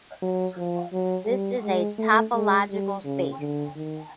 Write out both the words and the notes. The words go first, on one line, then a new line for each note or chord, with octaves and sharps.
This is a topological space.
F#3
F3
F#3
G3
G#3
A3
G#3
G3
C#3
D3
D#3